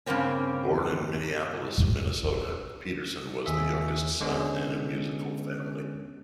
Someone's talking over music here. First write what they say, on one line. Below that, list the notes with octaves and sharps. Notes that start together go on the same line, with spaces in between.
Born in Minneapolis, Minnesota, Peterson was the youngest son in a musical family.
G2 C#3 A#3 C4 C#4
D#2 G#4 E5
D3 G#3 B3 C#4